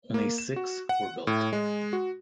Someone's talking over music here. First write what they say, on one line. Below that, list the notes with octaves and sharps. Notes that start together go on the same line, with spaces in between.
Only six were built.
A#3
E7
F#4
F#5
A2
G#3
F#4